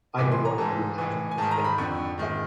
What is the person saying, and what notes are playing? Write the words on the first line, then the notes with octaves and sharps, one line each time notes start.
I don't want any part of this thing.
A2 E3 D6
C6
A#5
G#2 E3 A5
A2 E3
G#5
G#2 D#3 A5
A#5
B5
F2 D3 C#6
G#2 D#3